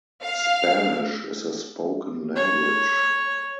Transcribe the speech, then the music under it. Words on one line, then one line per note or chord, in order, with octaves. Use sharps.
Spanish is a spoken language.
F5
C#5